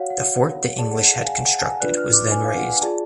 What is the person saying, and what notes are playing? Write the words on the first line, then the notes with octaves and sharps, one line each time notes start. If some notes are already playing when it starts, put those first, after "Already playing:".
The fort the English had constructed was then razed.
Already playing: F#4 C#5 F5 F#5
F#5
G#4 D5 A5
F#5
F#5
F5
G#5
F#5
F#5
A5
G#5
D4 F4 B4 D5 F#6
F6
D6
G#5
F5
F#5
G#5
F4 G#4 D5 A5